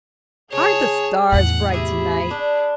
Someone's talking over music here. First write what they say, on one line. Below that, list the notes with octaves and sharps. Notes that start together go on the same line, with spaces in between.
Aren't the stars bright tonight?
C#3 G#4 C#5 A5
E2 A2 F#5
C3 G4 G#4 E5 B5
D4